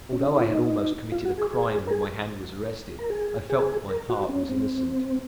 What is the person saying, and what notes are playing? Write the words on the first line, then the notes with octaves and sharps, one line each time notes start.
Although I had almost committed a crime when my hand was arrested, I felt that my heart was innocent.
C#4
D#4
F4
D#4
F4
F#4
G#4
G#4
A#4
G#4
A#4
G#4
G#4
A#4
F#4
C#4
C4